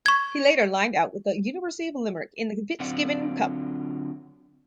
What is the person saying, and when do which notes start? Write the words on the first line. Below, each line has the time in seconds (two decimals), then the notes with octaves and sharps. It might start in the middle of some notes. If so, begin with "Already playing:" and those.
He later lined out with the University of Limerick in the Fitzgibbon Cup.
0.06 C#6 G#6
2.80 D3 F#3 C4 F4 D5 F#5